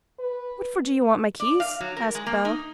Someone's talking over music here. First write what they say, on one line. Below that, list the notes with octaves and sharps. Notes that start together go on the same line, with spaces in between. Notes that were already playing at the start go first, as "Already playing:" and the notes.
'What for do yo' want my keys?' asked Bell.
B4
D5
F5
F#3
A#4
G#3
A#3
D#4